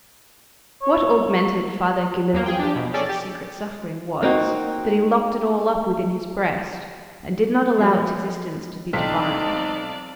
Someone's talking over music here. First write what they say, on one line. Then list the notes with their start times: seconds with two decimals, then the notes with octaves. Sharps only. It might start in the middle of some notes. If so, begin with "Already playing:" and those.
What augmented Father Gillenormand's secret suffering was, that he locked it all up within his breast, and did not allow its existence to be divined.
0.82 C#5
2.33 E2 F#3 A#3
2.46 G#4 G5
2.59 D4 G4
2.76 B2
2.94 C#4 G#4 A4 D5
3.06 G4 A6
4.23 A#3 C4 D#4 F#4
7.78 F3 F#3 G#3
8.93 B1 C4 D#4 D5 A5 B6